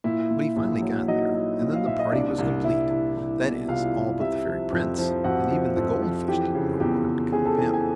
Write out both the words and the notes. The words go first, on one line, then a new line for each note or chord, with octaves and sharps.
But he finally got there, and then the party was complete; that is, all but the fairy prince, and even the goldfish didn't know what had become of him.
A#2 E4 E5
A#2
A#1
F#3
F#3 D#4 D#5
F#3
A#2
F5
A#2 E5
D#5
C2 D4 D5
C2
C2 E4 E5
C2
C2
B2
C2 F4 F5
C2
C3 E4 E5
F3
F2
F3
F2 F#4 F#5
F3
F2
F3
E3 G4 G5
C#3
E2 G4 G5
C#3
C#3 G#4 G#5
A4 A5
E3 G#4 G#5
G#5